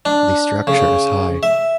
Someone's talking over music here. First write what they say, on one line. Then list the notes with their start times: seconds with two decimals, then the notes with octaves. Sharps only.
The structure is high.
0.05 D4
0.67 C#3
1.43 E5